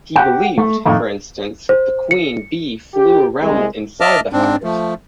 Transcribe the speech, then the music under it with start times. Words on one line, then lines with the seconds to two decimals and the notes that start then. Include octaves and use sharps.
He believed for instance that the queen bee flew around inside the hive.
0.16 G4 F#5 G5
0.58 A3
0.86 F2 A2 D#3 A3 A#3
1.69 C5
2.11 C#7
2.94 G4
3.41 C2 G#3
4.01 D#5 E5 A5 D6 F6
4.33 G#2 C4 D4
4.64 F3 A3